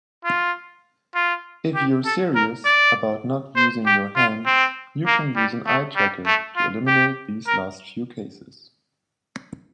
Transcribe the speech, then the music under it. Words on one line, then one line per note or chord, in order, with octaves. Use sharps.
If you're serious about not using your hands, you can use an eye tracker to eliminate these last few cases.
F4
F4
G4
A4
A#4
D5
C5
G4
F4
C4
A#3
G3
A3
G3
A3
F4
G4
A#4